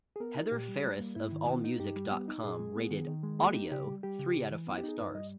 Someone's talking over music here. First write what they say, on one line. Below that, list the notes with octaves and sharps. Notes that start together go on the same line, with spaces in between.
Heather Phares of Allmusic dot com rated "Audio" three out of five stars.
G#4
B3 A#4
D#4
A#2 G4
G3
G3
A#3
G#2 E4
D#3
B3
D#4
G2 G4
G3
B3
D#4
A#2 G#4
G#3
B3
D#3
D#3
G#3
A#3 G#4
D#4 G4
C#3 G4
G3
G3 G4
C#3
C#3
E3
B3
E4
G4
D#4 G#4
G2 B4
G3 D#5